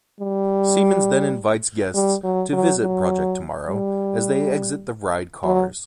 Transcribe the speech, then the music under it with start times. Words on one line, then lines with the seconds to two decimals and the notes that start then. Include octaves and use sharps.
Siemens then invites guests to visit Project Tomorrow as they exit the ride cars.
0.20 G3
1.95 G3
2.24 F#3
2.53 F#3
2.82 F#3
3.68 G3
5.44 F#3